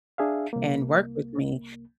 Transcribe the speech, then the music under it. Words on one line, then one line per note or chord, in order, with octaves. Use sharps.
and work with me."
D4 G#4 E5 F5
C2 A#3